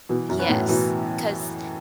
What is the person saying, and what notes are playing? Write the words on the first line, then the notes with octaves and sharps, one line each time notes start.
Yes, 'cause
B2 E3
F#2
C#4 F#4 B4
A2
B2 E3